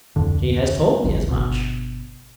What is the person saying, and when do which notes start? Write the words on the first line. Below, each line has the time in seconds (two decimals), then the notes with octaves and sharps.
"She has told me as much."
0.16 D1 F2 D3
1.04 G#1 C#2
1.31 G1 B2